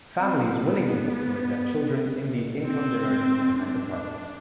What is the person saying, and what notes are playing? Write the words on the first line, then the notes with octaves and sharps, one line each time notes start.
Families willingly deployed their children in these income generating home enterprises.
C4
B3
C4
D4